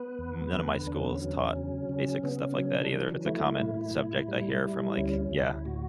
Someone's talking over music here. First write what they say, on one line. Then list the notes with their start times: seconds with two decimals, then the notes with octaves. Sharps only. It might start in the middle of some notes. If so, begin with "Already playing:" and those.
m none of my schools taught basic stuff like that either, if it's a common subject I hear from, like Yeah
Already playing: B3 B4
0.19 E2
0.52 D3
0.87 E2 D4
0.96 C#4
1.05 B3
1.15 C#4
1.21 F#3
1.56 C#3
1.89 C#3
2.23 C#3 B3
2.41 C#4
2.52 B3
2.58 F#3 C#4
2.75 D4
2.92 E3
3.26 A3 E4
3.60 A2
3.95 A2
4.28 G3
4.63 G3
4.97 D2 C#4
5.20 C#4
5.31 D2
5.43 E4
5.65 A2 F#4